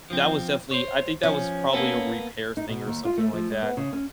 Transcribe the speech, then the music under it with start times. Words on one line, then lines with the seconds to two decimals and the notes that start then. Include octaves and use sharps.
that was definitely I think that was probably a repair thing or something like that
0.10 F3 C4
0.71 C5 C#5
1.23 F3 C#4
1.73 A#3 B3 A4
2.57 D#4
2.69 B2
2.87 D#2
3.05 F4
3.18 A3
3.33 F3
3.50 G#3
3.63 B3
3.77 C#3
3.93 C#4